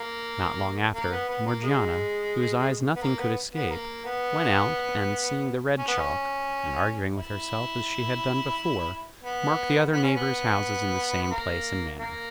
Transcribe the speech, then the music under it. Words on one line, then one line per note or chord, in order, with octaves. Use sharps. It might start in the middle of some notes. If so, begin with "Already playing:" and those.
Not long after, Morgiana, whose eyes nothing could escape, went out, and seeing the red chalk, and arguing with herself as she had done before, marked the other neighbors' houses in the same place and manner.
Already playing: A#3
A#3
B3
B3
A#3
G#3
B3
A#3
B3
B3
A#3
B3
C#4
B3
C#4
E4
B3
B3
C#4
B3
B3
A#3
A#3